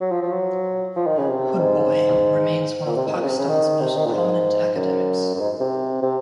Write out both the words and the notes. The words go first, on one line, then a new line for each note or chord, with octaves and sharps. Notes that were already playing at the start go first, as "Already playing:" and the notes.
Hoodbhoy remains one of Pakistan's most prominent academics.
F#3
F3
F3
F#3
F3
D#3
C#3
C3
G#2
A#2
C3
G#2
A#2
C#3
C3
C#3
D#3
C3
D#3
A#2
G#2
F#2
F#2
G#2
C3
C3